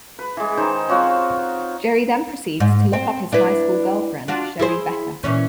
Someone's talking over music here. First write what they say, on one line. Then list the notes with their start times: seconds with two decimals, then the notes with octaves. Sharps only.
Jerry then proceeds to look up his high school girlfriend, Sherry Becker.
0.19 B4
0.37 E3 G#3
0.57 D#3 D#4 C5
0.88 C4 F4 F#4 C#5
2.60 G#2
2.93 C4
3.32 D4 E4 B4
4.28 D4 F4 F#4
4.59 E4 G#4 C5
5.24 A#2 E3 C#4